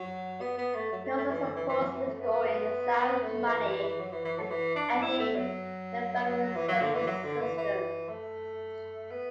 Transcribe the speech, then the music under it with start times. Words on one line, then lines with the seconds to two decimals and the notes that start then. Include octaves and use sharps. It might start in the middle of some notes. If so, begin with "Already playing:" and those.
He also supports restoring sound money and ending the Federal Reserve System.
Already playing: F#3
0.41 B3
0.58 B3
0.75 A3
0.92 F#3
1.05 A3
1.18 A3
1.30 E3
1.43 D3
1.56 E3
1.69 E3
1.82 F#3
1.94 E3
2.07 A3
2.20 B3
2.32 B3
2.97 B3
3.22 A3
3.48 E3
3.65 E3
3.82 E3
4.00 F#3
4.12 E3
4.25 E3
4.38 F#3
4.51 E3
4.76 D4
5.02 E4
5.19 A3
5.36 F#3
6.55 E3
6.68 F#3
6.81 D3
6.94 E3
7.07 F#3
7.24 D3
7.41 E3
7.58 E3
8.09 A3
9.11 B3